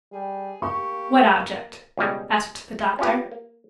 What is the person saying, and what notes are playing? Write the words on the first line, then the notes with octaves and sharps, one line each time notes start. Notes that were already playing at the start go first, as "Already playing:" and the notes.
'What object?' asked the doctor.
G3 G#4
A#3 G4 C#6
C#2 B2 G3 G#3
C#4 F4 G4 B4
A#3